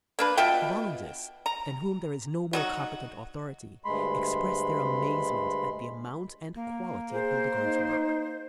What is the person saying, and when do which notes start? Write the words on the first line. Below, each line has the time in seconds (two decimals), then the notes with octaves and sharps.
The Bollandists, than whom there is no more competent authority, express their amazement at the amount and quality of Hildegard's work.
0.19 A#3 D4 B4
0.37 B2 F4 E5 G5
1.46 A#5
2.53 F#3 D#4 F#4
3.85 D2 G2 G#3 B5 C6
6.55 A#3
7.11 G#4 C5
7.64 D#4